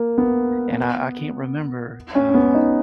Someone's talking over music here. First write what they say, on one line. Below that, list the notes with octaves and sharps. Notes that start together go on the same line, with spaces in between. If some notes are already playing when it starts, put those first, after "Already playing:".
And I I can't remember, um
Already playing: A#3
B3
C#4
C#4
B3
D#4